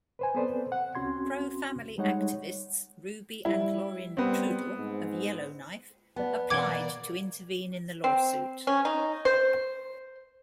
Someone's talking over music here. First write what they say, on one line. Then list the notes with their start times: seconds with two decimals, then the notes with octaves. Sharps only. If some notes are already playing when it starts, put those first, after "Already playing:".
Pro-"family" activists Ruby and Laurin Trudel of Yellowknife applied to intervene in the lawsuit.
0.19 B4 C5 G#5
0.35 B3 C4 A4 B4 C5 D5
0.72 F#5
0.95 C#2 C4 C#4 F#4 C6 G#6
1.98 G3 G#3 D#4 C#5 F#5
3.45 G3 E4
4.17 G3 B3 C4
4.77 G#2
6.16 B3 D5 A5
6.50 B2 E3 A#3 D5 F#5 D6 G#6 D7
8.04 C4
8.67 C#4
8.85 D#4
9.25 C5